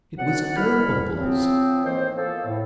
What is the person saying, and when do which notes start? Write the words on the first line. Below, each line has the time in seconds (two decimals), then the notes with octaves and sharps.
"It was Gobobbles."
0.18 D2 F#3 D5 F#5
0.56 D2 G#2 G3 E4 B5 F6
1.16 C#3 F3 B3 C4
1.84 A2 D#3 E3 A#3 C5
2.16 F3 A#3 B3 A4
2.45 A2